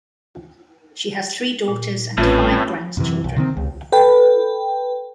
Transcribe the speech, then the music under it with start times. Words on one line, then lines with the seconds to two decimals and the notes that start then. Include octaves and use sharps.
She has three daughters and five grandchildren.
1.68 A#2
2.18 A1 A2 C4 C#4 F4 B4
2.97 F#2 C3 E3
3.24 B1
3.36 C3 D#3 C4
3.57 C#2
3.92 A4 B4 G5